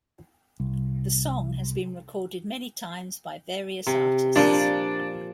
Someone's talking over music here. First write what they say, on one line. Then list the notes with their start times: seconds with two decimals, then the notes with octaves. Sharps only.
The song has been recorded many times by various artists.
0.60 C2
3.87 C3
4.36 A#2 F3 D4